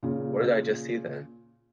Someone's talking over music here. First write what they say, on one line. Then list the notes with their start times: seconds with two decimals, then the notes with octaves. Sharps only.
What did I just see then?
0.03 A#2 C#3